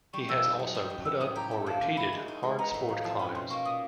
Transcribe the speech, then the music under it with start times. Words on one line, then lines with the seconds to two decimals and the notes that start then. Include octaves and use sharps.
He has also put up or repeated hard sport climbs.
0.13 G3 C#6
0.29 F2 E6
0.44 D#4
0.59 F#3
0.75 G3
0.90 F#2
1.05 B3 E6
1.20 A2 D#6
1.36 G4 A#5
1.51 A3
1.66 A#3 A5
1.82 D3
1.97 E4 B5
2.13 G#3
2.28 D#4
2.43 G#3
2.59 B3 A#5
2.74 A2
2.89 F3 A#5
3.04 F2 A5
3.19 C#4 B5
3.35 B2 C6
3.50 A#3 C#6
3.65 A#2 D#6